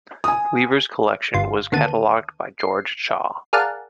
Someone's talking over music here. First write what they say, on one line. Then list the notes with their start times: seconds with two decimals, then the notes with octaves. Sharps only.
Lever's collection was catalogued by George Shaw.
0.24 G#5 D#6
1.34 G1 F4 C6
1.72 D#2 D3 B3 A5 D#7
2.59 C7
3.53 G#4 A#4 D5 F5 F#5 A5